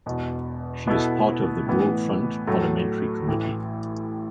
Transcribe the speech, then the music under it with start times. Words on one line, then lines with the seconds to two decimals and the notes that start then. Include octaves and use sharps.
She is part of the Broad Front parliamentary committee.
0.06 E1 E2 B2
0.87 B2 B3 E4 A4
1.66 A2 E3 B3
2.47 A2 F#3 A3
3.28 A1 A2 E3